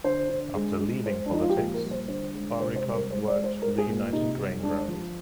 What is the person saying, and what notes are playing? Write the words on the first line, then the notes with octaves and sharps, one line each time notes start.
After leaving politics, Wawrykow worked for the United Grain Growers.
D3 C5
D3
G#3
G#3
G#3 C5
D4
F3 D#4
F4
G4
A#2 G#4
A#4
G3
C5
D3 C5
G#3
C3 C5
C5
G3
A#4
G#3 C5
D5
G#3
C5
G#3 A#4
G#4
A#2
C3 D#4
G3
G#3 D4
F3